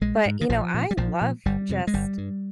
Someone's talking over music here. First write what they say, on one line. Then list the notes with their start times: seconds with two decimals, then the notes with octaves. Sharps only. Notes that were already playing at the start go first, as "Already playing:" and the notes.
But, you know, I love just
0.01 A#1 G#3
0.26 G#2
0.41 D#3
0.50 A#1 F3
0.74 A#2
0.91 G3
0.97 A#1 F3
1.21 A#2
1.45 G1 G3
1.69 F2 C3
1.87 G#3
1.94 G1 G3
2.18 G2